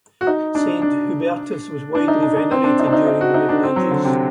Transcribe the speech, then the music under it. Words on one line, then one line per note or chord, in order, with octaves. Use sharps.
Saint Hubertus was widely venerated during the Middle Ages.
F#4
D#4
D4
D4
D4
D#4
D4
D4
C4
D4
D#4
D4
D#4
D#4
F#4
D#4
D4
C4
F#3
D3
C3